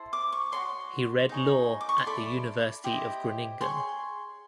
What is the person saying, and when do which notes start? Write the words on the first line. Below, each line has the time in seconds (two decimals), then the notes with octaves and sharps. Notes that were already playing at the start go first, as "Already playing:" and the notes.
He read law at the University of Groningen.
Already playing: E4 A4 C5
0.13 D6
0.32 C#6
0.52 F#4 A4 C#5 C6
1.29 D#4 G#4 C#5
1.81 D6
1.89 C#6
1.98 C6
2.06 E4 A4 D5 B5
2.84 E4 G4 C5 D#5
3.61 G#4 C#5 C6